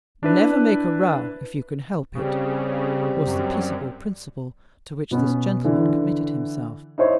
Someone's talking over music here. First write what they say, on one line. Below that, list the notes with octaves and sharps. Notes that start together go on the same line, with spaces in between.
"Never make a row if you can help it," was the peaceable principle to which this gentleman committed himself.
D4 E4 B4
C#3 G3 C4 G4
F#2
B2 B3 C#4
D3 E3
D#4 E4 C5 C#5